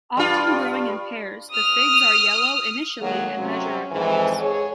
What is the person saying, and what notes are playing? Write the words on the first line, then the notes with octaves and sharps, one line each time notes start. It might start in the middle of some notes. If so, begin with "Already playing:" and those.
Often growing in pairs, the figs are yellow initially and measure across.
G2 F4
D#6 F6
D2 D#3 F#3 G#3 A#3 F#4
C3 F#3 C#4
F2 G#2 E3
G#4 C#5